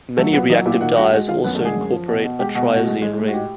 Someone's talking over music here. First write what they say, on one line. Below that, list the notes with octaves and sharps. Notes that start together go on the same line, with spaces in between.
Many reactive dyes also incorporate a triazine ring.
F#3 A3 A4
A#2 B3 B4
F#3 D#4 D#5
A#2 E4 E5
D#3 F#4 F#5
G2 F#4 F#5
G#3 F#4 F#5
D#3 F4 F5
F#2 B3 B4
A3 A4
D3
G#3 G#4
F#2
F3
B2
B2
G#3 G4
B2 F#4
A2 F#4
G#3
G#3
A2
F#4
G4